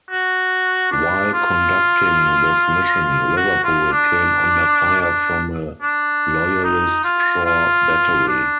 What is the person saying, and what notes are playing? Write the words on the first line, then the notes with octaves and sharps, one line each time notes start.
While conducting this mission, "Liverpool" came under fire from a Loyalist shore-battery.
F#4
D4
F4
F#4
F4
D4
D4
D4
D#4
F4
F4
D4